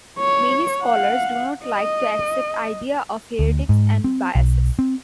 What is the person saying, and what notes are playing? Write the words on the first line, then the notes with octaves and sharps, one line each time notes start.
Many scholars do not like to accept idea of heuristics and biases.
C#5
F5 F#5
D#5
D2
G#2
C4
B1
C4